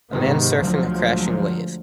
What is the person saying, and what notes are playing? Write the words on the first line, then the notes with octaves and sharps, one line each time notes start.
A man surfing a crashing wave.
G#2 C3 D#3 B3
D2 F3 F#3 G#3